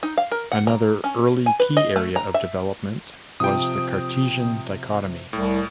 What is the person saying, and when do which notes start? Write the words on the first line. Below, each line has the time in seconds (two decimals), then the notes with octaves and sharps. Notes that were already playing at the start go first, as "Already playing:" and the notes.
Another early key area of development was the Cartesian Dichotomy.
0.03 D#4
0.18 F5
0.32 A#4
0.52 F#5
0.67 A#5
1.04 C#4
1.46 G#5
1.60 B4
1.77 D#5
1.96 A3
2.16 A#5
2.34 E5
3.40 C3 F3 G5 D#6
5.33 C2 A2